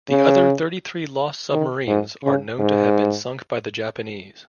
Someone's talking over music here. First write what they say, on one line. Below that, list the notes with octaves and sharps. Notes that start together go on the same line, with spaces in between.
The other thirty-three lost submarines are known to have been sunk by the Japanese.
C#3
D#3
G#2
C#3
G#2